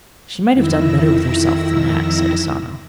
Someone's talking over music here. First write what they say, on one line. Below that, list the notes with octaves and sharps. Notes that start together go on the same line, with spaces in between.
"She might have done better with herself than that," said Asano.
F2 D#3 E4 E6 A#6